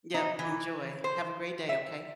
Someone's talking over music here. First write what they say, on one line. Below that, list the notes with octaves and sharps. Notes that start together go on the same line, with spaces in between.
Yep, enjoy. Have a great day, okay?
D#4
E3
C5
E5